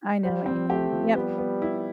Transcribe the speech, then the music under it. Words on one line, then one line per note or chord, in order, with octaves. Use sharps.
I know what you mean, yep.
G3 C5
C4
A3 G4
F3
G3 B3
B3
E4